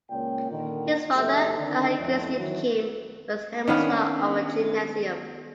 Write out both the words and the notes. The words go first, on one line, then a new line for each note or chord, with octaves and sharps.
His father, Johann Christian Keim, was headmaster of a gymnasium.
C#2 A#2 A#3 C#4 G5
A#2 D3 D#3
F#1 G4 A4 E5
D3 D#3 C4 D4 D#4
F2 A2
D#3 E3 F#3
D#3 B3 C#4 D4 F5